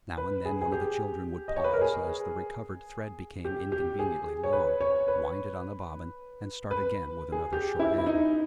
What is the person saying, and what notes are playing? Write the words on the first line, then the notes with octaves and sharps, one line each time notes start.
Now and then one of the children would pause, as the recovered thread became inconveniently long, wind it on a bobbin, and start again with another short end.
B4
G#4
G#4
G4
D#5
C#5
B4
A#4
G#4
G4
G4
G#4
C#5
B4
C#5
B4
B4
G#4
G4
E4
E4
D#4